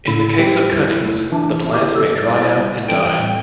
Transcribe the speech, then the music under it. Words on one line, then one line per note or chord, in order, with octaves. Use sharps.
In the case of cuttings, the plant may dry out and die.
A2 E4
G3 C4 G4 C5
E2
C3 A3
E3 D4
C4 E4
G4
C3 A4
D5
G3 E4 C5
D5
C3
E3 G3 C4 A4 G5
A2